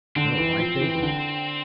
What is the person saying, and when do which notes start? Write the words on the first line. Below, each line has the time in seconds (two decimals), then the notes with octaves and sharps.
"No, I thank you."
0.16 D3 C4
0.38 E3
0.59 F3
0.80 E3
0.95 E3
1.02 D3